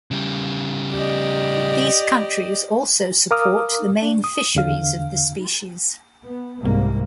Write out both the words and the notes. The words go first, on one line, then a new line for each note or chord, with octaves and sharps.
These countries also support the main fisheries of the species.
C#3 G3
G4 D5 D#5
A#4 F5 D6 D#6 F6
D4
D#6
E2 D3 F5
B3
C2 G#2 G3 A#3